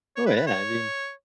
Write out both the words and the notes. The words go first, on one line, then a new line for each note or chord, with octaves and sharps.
Oh yeah, I mean
C#5
B4
B4
C#5